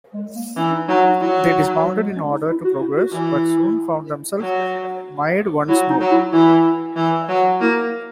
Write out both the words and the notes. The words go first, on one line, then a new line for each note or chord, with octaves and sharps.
They dismounted in order to progress, but soon found themselves mired once more.
G#3
A#3
E3 C#4
D#4
F#3 D#4
D#4
F#3 E4
D#4
D#4
F#3
G#3
C#4
D#4
E4
F#4
E4
F#4
E3 E4
F#3
F#3 E4
D#4
F#3
E4
E3 E4
E3
F#3
A#3 E4